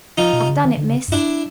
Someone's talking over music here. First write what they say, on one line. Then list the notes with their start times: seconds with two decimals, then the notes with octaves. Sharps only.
'I've done it, miss.
0.18 F3 D#4 F4
0.33 B2
0.41 C3
0.49 C#3
0.57 D3
0.65 D#3
0.77 D3
0.89 C#3
1.08 F#2
1.12 G2 D4 E4